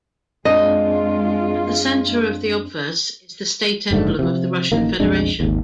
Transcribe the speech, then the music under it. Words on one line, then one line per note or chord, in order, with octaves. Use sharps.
At the center of the obverse is the state emblem of the Russian Federation.
F#2 G#3 C4 D4 F4 D#5
F#1 G#2 D3 A3
C3 F3
A1 D#3 A#3
B1 F2 G#3 D4
G#1 D#2